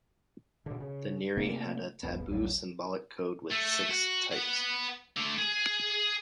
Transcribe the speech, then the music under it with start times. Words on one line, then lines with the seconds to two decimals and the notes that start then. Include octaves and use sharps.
The Nri had a taboo symbolic code with six types.
0.66 B2 D3
0.80 C#3
1.37 C3 A3 A#3
2.03 D#1 G#1 E2 B3
2.31 A#1 D#2 F#3 G3
3.51 A3
3.89 F#4
4.32 B4 F#5
5.17 D3 A3
5.38 G#4